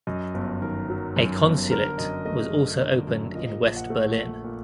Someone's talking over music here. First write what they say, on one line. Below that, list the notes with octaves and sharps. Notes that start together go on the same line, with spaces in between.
A consulate was also opened in West Berlin.
F#2 D#5
G1
D#3 A#4
F#3
F#2
G1
D3 A#4
F#2 D#5
A3 D#5
F#2
D3
F#2
A#2 D#5
A#1
F#5
A3
A#1
A#2